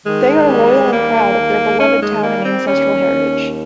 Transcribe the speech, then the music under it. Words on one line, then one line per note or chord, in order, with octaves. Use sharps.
They are loyal and proud of their beloved town and ancestral heritage.
D#3 G#3
G3
D#2 A#3
D#2
D#3 C#4
G#3
G3 A#3
C4
D#2 C#4
D#2